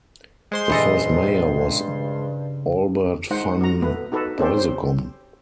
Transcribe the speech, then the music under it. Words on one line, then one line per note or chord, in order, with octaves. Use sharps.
The first mayor was Albert Van Beusekom.
G#3 C5 C6
G2 A#2 E3 A4 D#5
C#3
G#3 D#4 C5 F#5
F#4 A#5
A3 B3 B4
D#4 F#4 A4 B4
C4 C#4 G4 A4 C5
C5